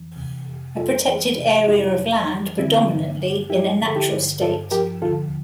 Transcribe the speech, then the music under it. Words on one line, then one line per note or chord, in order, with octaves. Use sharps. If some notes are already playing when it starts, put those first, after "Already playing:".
A protected area of land predominantly in a natural state.
Already playing: F2 E3
C3
F2
F2 F4 A4
E3
C3
F2 E4 G4
F2
E3
D3 C4 E4
G2
G2
F3 E4 G4
D3
A4
E4 G4
G2
G2 F4 A4
F3 G4 A#4
D3 F4 A4